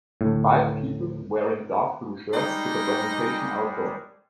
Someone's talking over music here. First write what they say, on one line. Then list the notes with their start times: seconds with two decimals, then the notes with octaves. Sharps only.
Five people, wearing dark blue shirts, give a presentation outdoors.
0.21 D2 A2
2.33 G3 G#3 D#4 G#4 G5